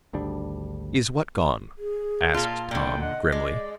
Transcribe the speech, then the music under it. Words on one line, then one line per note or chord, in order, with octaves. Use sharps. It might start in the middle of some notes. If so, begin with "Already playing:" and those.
"Is what gone?" asked Tom, grimly.
G#1 D2 G3 D4
G#4
A#2 F4 A5
A#2 D3 D5 G5
D#5 F#5
G#3 D5